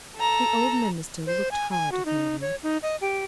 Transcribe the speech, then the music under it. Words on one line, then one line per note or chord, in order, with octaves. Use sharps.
The old minister looked hard at Marian.
A4 A#5
C5
G#5
G#5
F#4
D#4
C#5
D#4
D#5
G4